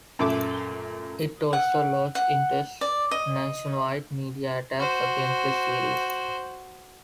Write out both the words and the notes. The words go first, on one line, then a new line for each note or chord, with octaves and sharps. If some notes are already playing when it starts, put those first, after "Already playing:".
It also launched intense nationwide media attacks against the series.
F#2 A#2 A3 A5 D6
F#5
F#5
D5
D#5
F#4 C5